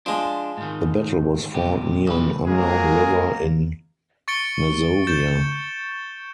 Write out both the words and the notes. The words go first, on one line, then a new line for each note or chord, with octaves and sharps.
The battle was fought near an unknown river in Masovia.
F3 G#3 D4
G#2 D#3
F#2 B2 G4
B1 F3 B4
F#3 G#3 A#3 C#4 G#4 A#4
C#6 A6 C#7 D7 G7
G6 A6 E7